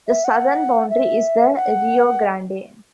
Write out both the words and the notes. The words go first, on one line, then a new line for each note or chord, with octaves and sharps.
The southern boundary is the Rio Grande.
E5
F#5
E5
F#5